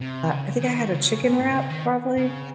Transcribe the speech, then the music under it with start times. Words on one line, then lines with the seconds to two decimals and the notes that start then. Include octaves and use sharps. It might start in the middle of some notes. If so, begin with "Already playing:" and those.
I think I had a chicken wrap, probably?
0.01 C3
0.32 C#3
0.62 D#3
0.93 C#3
1.24 A#2
1.40 G#2
1.50 C3
1.55 C#3
1.70 D#3
2.17 C#3